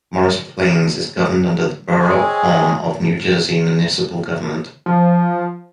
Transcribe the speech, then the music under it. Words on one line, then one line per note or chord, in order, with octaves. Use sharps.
Morris Plains is governed under the Borough form of New Jersey municipal government.
G#3 C4 G#4 C#5 G#5
F3